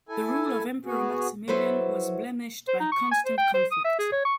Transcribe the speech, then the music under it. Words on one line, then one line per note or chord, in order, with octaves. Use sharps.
The rule of Emperor Maximilian was blemished by constant conflict.
E4 A4 G#5
B3 F#4 G#4
F#3 E4 A4 B4 C5 E5
C5
D#4
C#6
G#5
C5
G5
C5
D#6
E5
G#4
C#5
C#6